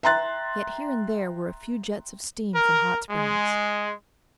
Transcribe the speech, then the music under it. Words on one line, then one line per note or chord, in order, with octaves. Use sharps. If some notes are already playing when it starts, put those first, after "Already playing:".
Yet here and there were a few jets of steam from hot springs.
E5 G5 A#5 C6 F#6 A6
A#4
G#3